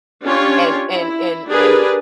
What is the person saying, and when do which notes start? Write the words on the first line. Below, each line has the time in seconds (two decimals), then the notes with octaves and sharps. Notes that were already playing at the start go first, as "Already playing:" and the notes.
and and and and
0.23 C#4 D4 F4 G4 C#5
0.92 E4
1.48 D4 G4 G#4 A#4 B4